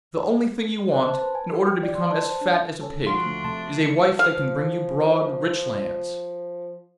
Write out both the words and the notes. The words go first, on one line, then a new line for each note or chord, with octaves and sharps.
The only thing you want, in order to become as fat as a pig, is a wife that can bring you broad, rich lands.
C5
A5
B4
G#5
G4
G5
D5
C6
A5
C5
D4
C#4 A4
F3 D4 F#4 F5 C6
D2 A3
C3 A3 A5
C#7
F3 F5